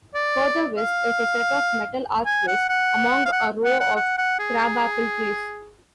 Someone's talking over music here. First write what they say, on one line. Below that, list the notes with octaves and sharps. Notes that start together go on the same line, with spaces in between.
Further west, is a set of metal archways among a row of crabapple trees.
D5
F5
G#5
F#5
F#5
F5
F#5
F#5
F#5
F#5
F#5
G#4